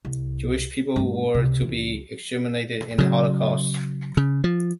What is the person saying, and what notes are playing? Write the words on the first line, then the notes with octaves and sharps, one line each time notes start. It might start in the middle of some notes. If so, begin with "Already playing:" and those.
Jewish people were to be exterminated in the Holocaust.
C2
G2 A3
C#2 C3
C#2 E3
C#3 F#3
C#3
F3